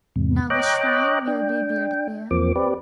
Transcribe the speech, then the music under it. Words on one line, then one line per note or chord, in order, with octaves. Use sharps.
Now a shrine will be built there.
E2 G#2 C3
C#5 D#5 G5 A#5 D6 F#6
D4 G5
E2 F3 A#3 C4 D6
C4 G4 B4 D5